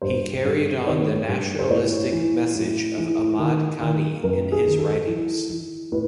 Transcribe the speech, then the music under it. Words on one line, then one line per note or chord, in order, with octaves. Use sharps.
He carried on the nationalistic message of Ahmad Khani in his writings.
G2 C5
G2
D#3 C#5
G2
C5
A2 C#5
E3
A2
E3
D#3
D#3
F#2 A#4
G#4
D#3
A4
E3
E3
A2 B4